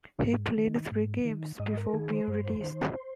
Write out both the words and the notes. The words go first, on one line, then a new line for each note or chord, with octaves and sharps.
He played three games before being released.
G#2
D#3
G#2
D#3
G#2 D#5
A#4
D#3 G#4
C5
G2
D#3